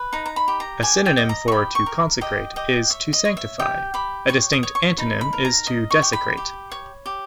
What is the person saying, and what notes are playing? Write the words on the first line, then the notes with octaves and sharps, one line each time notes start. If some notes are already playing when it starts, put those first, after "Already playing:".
A synonym for to consecrate is to sanctify; a distinct antonym is to desecrate.
Already playing: B4
D#4 A#5
A#5
B5
G4
A#5
G4 G#5
G5
D#5
A#5
C#6
G4 B5
C#6
A#4
G4 D#5
G4 D#5
C#5 E5
D#5
C#5
E5
G4 G5
G4 B5
C#5 C#6
D#6
C#5
C#6
D#4 B5
B5
A#4
A#5
D#5
C#6
G4
B5
G4
C#5
G4